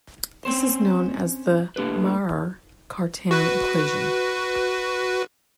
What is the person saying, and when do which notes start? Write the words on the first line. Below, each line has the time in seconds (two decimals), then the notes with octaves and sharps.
This is known as the Maurer-Cartan equation.
0.45 C4 C#4 C5
1.76 A3 A#3 D4 G4 B4
3.31 F#4 B4